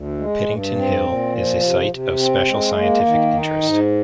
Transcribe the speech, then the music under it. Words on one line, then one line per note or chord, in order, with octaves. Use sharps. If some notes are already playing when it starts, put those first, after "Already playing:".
Pittington Hill is a Site of Special Scientific Interest.
Already playing: D2
G#3
G2
C4
A#2
F3
C3
C3
C4
G#3
A#3
D#3
D#4
G#2